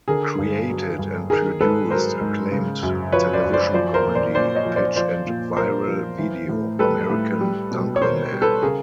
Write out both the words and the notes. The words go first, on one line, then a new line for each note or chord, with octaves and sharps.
Created and produced acclaimed television comedy pitch and viral video, American Dunkleman.
D3 G#4 A#4
G2
F#3
G2
D#3 G#4 A#4
G#2 A4 B4
F#3 A#4 C5
G#2
C#3
F#2
F3 B4 C#5
C5 D5
F#2
C5 D5
F3 C5 D5
A#4 C5
A#2
C5 D5
A#2 C5 D5
C#5 D#5
F3
C5 D5
F3 C5 D5
A#2
A#2 A#4 C5
F3
E3
A2
G3 A4 B4
A2
G3
B2
C#5
B2 A#4 C5
G3
A4 B4
C#3 G#4 A#4